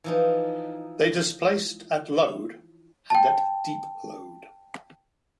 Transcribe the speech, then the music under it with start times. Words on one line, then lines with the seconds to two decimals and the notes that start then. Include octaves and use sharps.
They displaced at load and at deep load.
0.04 E3 F3 D#4
3.10 G5 A5